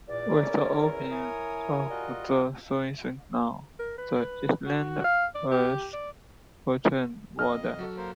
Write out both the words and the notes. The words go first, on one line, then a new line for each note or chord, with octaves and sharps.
With the opening of the Suez Canal, the island's fortunes waned.
E2 A#2 D5
C#4 E4 A#4
E4 C#5 G#5 D#6
G3 F4 F#4 D#5
A#4
B4
B4
F#4
F5
D5
G4
D5
F2 D#5 F6
F#3 F#4 A4
A#3 A#4 C5